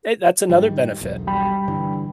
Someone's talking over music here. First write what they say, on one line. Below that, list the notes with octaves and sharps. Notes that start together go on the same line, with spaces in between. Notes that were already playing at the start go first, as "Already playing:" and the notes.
Hey, that's another benefit.
G#2 D#3 G3
E1 B1
G3 G5 B5
G2 D3 E3